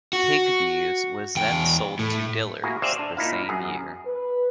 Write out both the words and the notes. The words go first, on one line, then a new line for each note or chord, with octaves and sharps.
Higbee's was then sold to Dillard's the same year.
F#4
E2 G5
A2
A#3 E4 F#4 G#4 A#4
G#4 C5 D5 E5 F5 G5
D4
A#2 D#4 E4 F5
F#2 G#4
B4